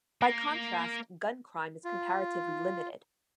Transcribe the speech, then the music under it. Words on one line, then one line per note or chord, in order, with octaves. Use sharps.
By contrast, gun crime is comparatively limited.
A#3
F4